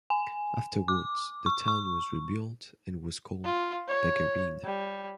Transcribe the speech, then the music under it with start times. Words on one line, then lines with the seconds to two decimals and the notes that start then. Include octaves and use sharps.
Afterwards the town was rebuilt and was called Bagherino.
0.10 G#5
0.88 D6
1.46 C#6
1.68 C#6
3.44 F4
3.88 C#5
4.64 G3